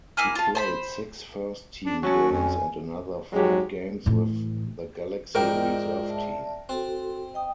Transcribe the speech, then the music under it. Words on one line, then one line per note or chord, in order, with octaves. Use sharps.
He played six first-team games and another five games with the Galaxy reserve team.
A#3 E4 G#5 F6
F4 A5
C5 A5 B5
D4
F#3 C#4 F#4 G#5 A5
F2
F2 G#2 F#3 G#3 G4
A2 E3
G#2 E4 F4 A#4 D5 D#5 G5 D6
D5 E5 A5
C4 F#4 A4
D#5 G5 D#6